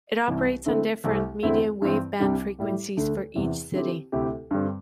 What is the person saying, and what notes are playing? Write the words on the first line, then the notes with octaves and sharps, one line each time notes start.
It operates on different medium wave-band frequencies for each city.
C2 C3 E3
D3 A3 C4 E4
C2 C3 A3
E2 D3 A3 C4 E4
G2 E3 C4
C2 C3 G3 D4 G4
A2 G3 E4 G4
D2 D3 A3
E2 C3 E3
D3 C4 E4 G4
D2 C3 A3 E4 G4
G2 D3 G3 C4